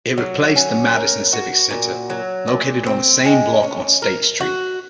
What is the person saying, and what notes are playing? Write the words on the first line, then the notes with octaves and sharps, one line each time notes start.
It replaced the Madison Civic Center, located on the same block on State Street.
F#3
C#4
A#4
F#4
A#2
F#3
A#2
C4
G#3
C#4
A#4
F#4